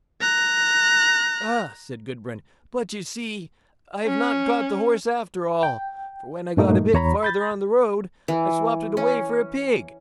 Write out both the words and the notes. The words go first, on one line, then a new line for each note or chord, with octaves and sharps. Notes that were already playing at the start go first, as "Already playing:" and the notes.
'Ah!' said Gudbrand, 'but you see I've not got the horse after all; for when I got a bit farther on the road, I swopped it away for a pig.'
A#5 F#6
C#4
G5
G2 A#2 G3 A3 A#3 D#4
E2 C#5 A#5 B5
B5 G6 A6
E3
C#4